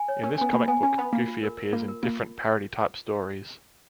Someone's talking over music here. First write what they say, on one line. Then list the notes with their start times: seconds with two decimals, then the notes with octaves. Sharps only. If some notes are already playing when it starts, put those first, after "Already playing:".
In this comic book Goofy appears in different parody type stories.
Already playing: G#5
0.08 C#5
0.23 C#4 A#4
0.38 B3 G#5
0.53 A#3 B5
0.68 B3 G#5
0.82 C#4 G#5
0.98 B3 B5
1.13 A#3 F5
1.28 F4
1.43 A#4
1.58 A#4
1.73 A#3 F4
1.88 A#4
2.02 A#3 F4